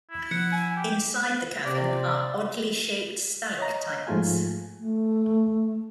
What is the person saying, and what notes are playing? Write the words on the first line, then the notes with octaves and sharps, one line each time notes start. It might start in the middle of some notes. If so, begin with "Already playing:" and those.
Inside the cavern are oddly-shaped stalactites.
E4
F3 F#5
G#5
G4 G5
C3 D5
C#5 D#5 A#5
G#2 F3 A3 F4 G#4 G#5
A3